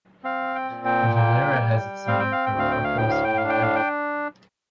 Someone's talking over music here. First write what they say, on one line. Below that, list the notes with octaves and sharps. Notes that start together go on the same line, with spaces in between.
Valera has its name from Marcos Valera.
C4 F5
G5
A#2
G5
A#3 G5
G3
C4 F5
G5
F5
G5
D2
F5
G5
F5
A2 G5
F5
G5
F5
D4
G5
F5
G5